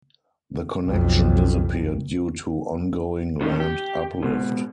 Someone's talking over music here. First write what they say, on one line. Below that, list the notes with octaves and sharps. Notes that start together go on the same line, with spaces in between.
The connection disappeared due to ongoing land uplift.
B1 F2
A2 D3 D#3 A#3 C#4 D#4
G4
G#2 B2